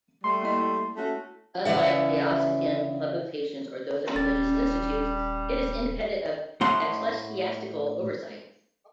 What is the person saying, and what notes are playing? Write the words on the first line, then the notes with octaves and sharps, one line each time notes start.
Unlike diocesan publications or those of religious institutes, it is independent of ecclesiastical oversight.
G3 A3 C6
A#3 E4 D#5
A3 C#4 F#4
C#3 E3 D5 E5 F#5
D#1 G3 C#4 A6
A2 A3 F#5 C6